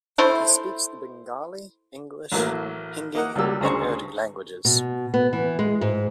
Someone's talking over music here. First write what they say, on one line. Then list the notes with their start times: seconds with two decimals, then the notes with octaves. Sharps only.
He speaks the Bengali, English, Hindi, and Urdu languages.
0.18 A3 E4 C5
2.32 A1 F#3 A3 A#3
3.15 A#3 D#5 F#5
3.35 C#2 F#3 G3 A#3 G4 E6
3.61 D2 C#3 G#4 C5 A#5 C#6
4.65 B2
5.14 B3
5.33 E3
5.59 G#3
5.81 G#2